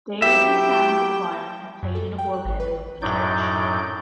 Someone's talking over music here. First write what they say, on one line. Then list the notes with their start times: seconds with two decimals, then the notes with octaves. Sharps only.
There, he sang in the choir and played an organ in the local church.
0.22 F#3 E4 G4 E5 G5
1.83 F#2
1.95 A4
2.18 G5
2.34 F#6
2.45 G#1
2.60 B4
3.02 F#2 A2 F#3 D#4 D5 G6